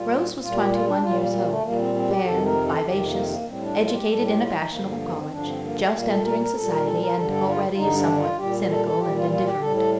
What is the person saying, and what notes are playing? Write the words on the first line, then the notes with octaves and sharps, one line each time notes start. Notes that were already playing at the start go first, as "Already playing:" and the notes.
Rose was twenty-one years old, fair, vivacious, educated in a fashionable college, just entering society and already somewhat cynical and indifferent.
Already playing: A#2 G3 F4
A#2 G3 F4
G4
F4
D4
A#2 G3 F4
A#3
A#3
A3
A#2 G3 A#3
C4
C4
G4
F2 C3 D#3 A4
A#4
A4
F2 C3 D#3 G4
A#3
C4
A#3
A2 G3 C4
D4
F4
G4
A2 G3 A4
G4
F4
D#4
G2 D3 F3 A#3
A#3
A#3
C4
G2 D3 F3 D4
C4
A#3
A3
A#2 G3 A#3
A4
A#4
A#4
A#2 G3 A4
A#4
A4
A#4
G2 D3 G3 A4
A4
F4
F4
G2 D3 G3 D#4
D4
F4
A#2 G3 G4
A4
A4
A#2 G3 G4
F4
F4
G4
A2 G3 A4
A4